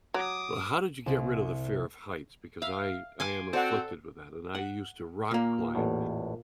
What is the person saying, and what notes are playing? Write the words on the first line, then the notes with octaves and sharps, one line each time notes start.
Well, how did you get rid of the fear of heights? Because I I am afflicted with that, and I used to rock climb.
F#3 D6 D#6
C2
E5 F5
G#5 C6 D6
C4 F#4 A4 C5 D5 F#5
F#5
A#2 A#3
A1 E2 A2